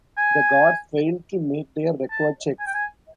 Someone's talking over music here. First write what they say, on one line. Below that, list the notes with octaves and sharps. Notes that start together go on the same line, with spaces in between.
The guards failed to make their required checks.
G#5
A5
G#5
G5
G#5